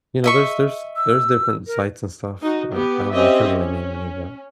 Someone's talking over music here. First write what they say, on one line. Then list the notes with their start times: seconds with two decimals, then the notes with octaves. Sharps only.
you know, there's there's there's different sites and stuff, I I don't know, I couldn't really name any of that.
0.24 D#5 E5 C#6
0.96 E6
1.67 A#4
2.41 D#4 F#4
2.73 B3 G4
3.12 C4 C#4 G4 D#5 E5
3.46 C#4